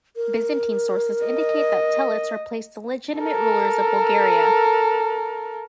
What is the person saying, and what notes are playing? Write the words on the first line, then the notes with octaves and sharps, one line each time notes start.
Byzantine sources indicate that Telets replaced the legitimate rulers of Bulgaria.
A#4
D#5
A4 A#4